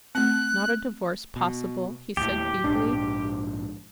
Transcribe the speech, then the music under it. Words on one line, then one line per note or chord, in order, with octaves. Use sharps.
"Is not a divorce possible?" he said feebly.
A3 C4 F#6
B2
D#2 A2 G4
A#1 G#2 D4